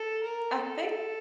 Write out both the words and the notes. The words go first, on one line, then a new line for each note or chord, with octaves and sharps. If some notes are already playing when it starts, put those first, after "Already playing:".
I think
Already playing: A4
A#4
A4